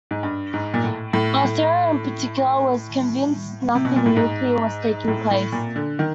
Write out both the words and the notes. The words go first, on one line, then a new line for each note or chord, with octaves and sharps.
Balseiro, in particular, was convinced nothing nuclear was taking place.
G#2
G2
G#2
A#2
A2
A2
A2
C3
B2
A#2
A2
G#2
A2
A2
A#2
D3
D#3